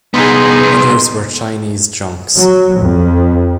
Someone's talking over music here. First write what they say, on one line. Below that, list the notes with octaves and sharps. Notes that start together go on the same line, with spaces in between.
Others were Chinese junks.
C2 B3 D#4 G#4 C6
F#3
F2